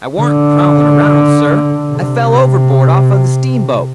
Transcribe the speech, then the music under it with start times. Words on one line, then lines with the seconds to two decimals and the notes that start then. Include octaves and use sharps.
"I warn't prowling around, sir, I fell overboard off of the steamboat."
0.21 D3
1.93 C3